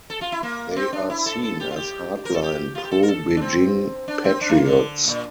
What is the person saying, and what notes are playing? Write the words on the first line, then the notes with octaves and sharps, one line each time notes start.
They are seen as hard-line pro-Beijing patriots.
A4
F4
E4
A#3
C4
D4
E4
A4
A4
G4
F4
G4
A#4
A4
G4
F4
G4
A4
A#4
A4
D4
C4
D4
C4
D4
A3
A#3
D3
A#2